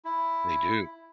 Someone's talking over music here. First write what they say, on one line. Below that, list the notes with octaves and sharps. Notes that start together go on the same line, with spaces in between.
They do.
E4